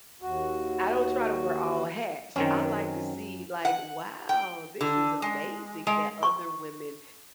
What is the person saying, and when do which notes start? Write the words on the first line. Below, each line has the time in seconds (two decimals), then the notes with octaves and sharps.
I don't try to wear all hats. I like to see, like, "Wow. This is amazing that other women,"
0.22 D#2 F#4
2.36 F#2 D#3 C4 C#4
3.65 F#5
4.29 G5
4.81 D3
5.22 G#3
5.87 G#3
6.23 C#6